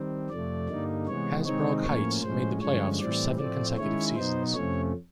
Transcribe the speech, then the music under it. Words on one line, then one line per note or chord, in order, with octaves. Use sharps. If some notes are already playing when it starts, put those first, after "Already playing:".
Hasbrouck Heights made the playoffs for seven consecutive seasons.
Already playing: D#3 G3 C4
F2 C3 F3 A3 D5
G2 D3 G3 A#3 D#4
C3 E3 G#3 B3 C#5
C3 D#3 G#3 C4 D#4 C#5
A2 F3 A#3 C#4 C#5
A2 F3 G#3 C#4 C5
G2 D3 F3 G#3 C#4 C#5
A2 E3 G3 C4 D5
A2 F3 A3 C4 D5
D#3 G#3 C#4 E4 C#5
B2 F#3 B3 D#4 C5
F2 C3 F3 A3 C#4 C#5